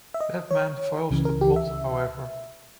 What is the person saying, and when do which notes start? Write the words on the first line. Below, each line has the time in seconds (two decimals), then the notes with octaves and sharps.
Batman foils the plot, however.
0.14 E5
0.21 D#5
0.51 C#5
1.11 C#2 C#3 E3
1.25 A#4
1.41 G4
1.56 E5